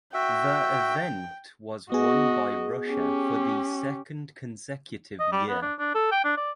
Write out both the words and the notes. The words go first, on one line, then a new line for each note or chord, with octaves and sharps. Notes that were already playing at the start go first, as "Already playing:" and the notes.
The event was won by Russia for the second consecutive year.
F#4 E5 G5
B3 F#4 G#4 D#5
C#4 G4
D#5
G3
B3
D4
D4
A4
G5
D4
D5